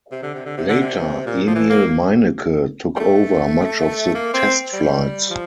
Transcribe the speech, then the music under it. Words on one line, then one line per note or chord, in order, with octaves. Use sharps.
Later, Emil Meinecke took over much of the test flights.
C3
D3
C3
D3
C3
D3
C3
A#2
F3
E3
A#3
G3
A3
A#3
C4
G3
F3